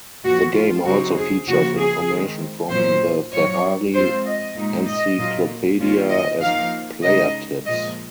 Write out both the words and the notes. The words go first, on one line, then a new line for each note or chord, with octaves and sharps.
The game also features information from the Ferrari Encyclopedia as player tips.
A#2 F3 A#3 F#4
F4
C#3 F#3 C4 D#4 F#4
G#4
C#3 F3 A#3 F#4
G#4
D#3 G#3 C4
A#2 F#3 C#4 C5
A#2 F#3 C4 F4 C#5
F3 G#3 C4 F4 C5
D#5
A#2 G#3 D#4
D#5
A#2 F#3 A#3 F4
D#3 A#3 C#4 F4
D#5
F3 A#3 D#4 F5
C#3 G#3 D#4 D#5
A#2 F3 G#3 D#5